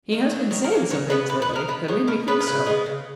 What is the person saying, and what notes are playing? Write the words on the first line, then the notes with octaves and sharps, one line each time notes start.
"He has been saying some things lately, that made me think so."
D#3
F#3 A#3
D#3 C#5
A#4
F#3 A#3
A#2 C#5
G#3 B3 B4
A#2 B4
B4
G#3
B3 A#4
B2 B4
G#3 B3 C#5
B2 A#4
G#3 B3 B4
A#4
C#3 B4
G#3 B3
C#3